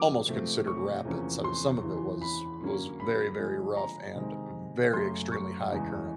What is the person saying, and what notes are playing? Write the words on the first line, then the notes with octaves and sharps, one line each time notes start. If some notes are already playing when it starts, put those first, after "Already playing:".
almost considered rapid, so some of it was was very, very rough and very extremely high current,
Already playing: F2 D3 F#3 A#3 D6
C3 F3 A3
C#6
E2 C3 F3 A#3 C#4
C6
E2 C#3 E3
B5
D3 F#3 A#3 C#4
B5
D3 F3 G#3
A#5
C3 D#3 G#3
F#2 C#3 F#3 A3 C6
C#6
E2 C#3 E3 G#3